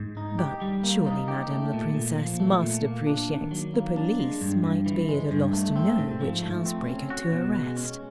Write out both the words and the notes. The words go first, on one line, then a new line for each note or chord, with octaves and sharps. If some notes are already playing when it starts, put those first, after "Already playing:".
"But surely madame la princesse must appreciate the police might be at a loss to know which housebreaker to arrest."
Already playing: G#2
D#4
G4
G3
A#3
D#4
G4
A3
A#2
A#2
F3
A3
A#2
A#3
D4
D#3
F#3
A#3
D4
G#3
G2
G2
E3
G#3
G2
A3
C4
G#2
F3
A3
C4
C#4
F#4
B2
G#3
C#4